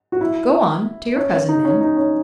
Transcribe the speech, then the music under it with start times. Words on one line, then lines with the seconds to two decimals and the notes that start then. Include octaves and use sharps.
"Go on, to your cousin, then!"
0.12 F#4
0.21 E4
1.17 C#4
1.33 C#4
1.49 D#4
1.65 C#4
1.81 D#4
1.97 C#4